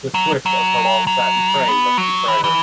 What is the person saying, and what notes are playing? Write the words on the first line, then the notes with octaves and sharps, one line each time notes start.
The swish of her long satin train must betray her.
F#3
F#3
F#3
B3
F#3
E3
E3